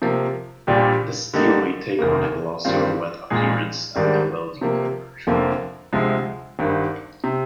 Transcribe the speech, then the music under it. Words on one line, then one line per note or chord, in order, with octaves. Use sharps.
The steel may take on a glossy or wet appearance at the welding temperature.
C3 F3 A#3
A#1 A#2 G3 D4 G4
D3 G3 A#3 D#4
F1 D#2 D#3 A#3
G2 D#3 G3 C4 F4
A#1 A#2 G#3 D#4 G#4
G#1 G#2 D#3 G3 D4
C3 F3 A#3
F1 F2 D3 F3 A#3
D2 C3 F3 G#3
G#1 G2 D#3
C3